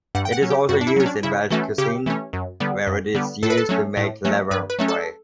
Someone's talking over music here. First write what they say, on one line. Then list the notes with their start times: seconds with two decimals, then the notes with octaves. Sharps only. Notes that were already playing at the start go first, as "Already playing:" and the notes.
It is also used in Welsh cuisine, where it is used to make laverbread.
0.15 G2 F#5
0.25 G5
0.32 F#5
0.42 F#3 C#4
0.50 G4
0.69 G2 F#4
0.81 D4
0.87 E4
0.96 F#3 C#4
1.06 D4
1.23 C#3 E4
1.50 E3 A3 C#4 F#4
1.78 C#3 G4
2.06 E3 A3 C#4
2.33 F#2
2.60 D3 G3 B3
2.87 F#2
3.14 D3 G3 B3
3.43 A2 A4
3.50 B4
3.57 A4
3.69 F#3 A3 C#4
3.97 A2
4.25 F#3 A3 C#4
4.51 G2 B4
4.70 B4
4.79 F#3 A3 C#4
4.88 A4